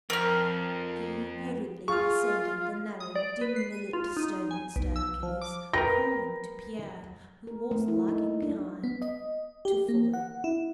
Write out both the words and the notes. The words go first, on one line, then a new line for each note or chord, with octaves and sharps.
She hurriedly ascended the narrow dimly lit stone staircase, calling to Pierre, who was lagging behind, to follow.
F2 A#4 F6
F4 G#4 C#6 F6
D#6
D5
B4
C7
D#7
F4
D#4
G#5
B1
E6
F3
D6
A#4 B4 G5 A#6
A#4
A3
E4
D#4
D4
B3
D#5
G4
A#3
F#5
E4